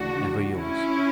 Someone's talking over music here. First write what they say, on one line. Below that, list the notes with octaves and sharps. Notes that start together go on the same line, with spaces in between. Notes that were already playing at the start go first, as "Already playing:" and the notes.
Ever yours.
Already playing: D2 C#3 E3 D4 F#4
C#4 E4